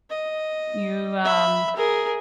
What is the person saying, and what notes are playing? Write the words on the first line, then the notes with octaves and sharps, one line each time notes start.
"You" um,
D#5
E5 B5
G#4 A#4